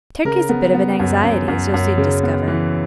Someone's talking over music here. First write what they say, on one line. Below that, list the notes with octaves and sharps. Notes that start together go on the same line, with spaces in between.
Turkey's a bit of an anxiety, as you'll soon discover.
C#3 A#4
B3
B3
F#2
F#2
F#2
F#2
C#3
B3
E3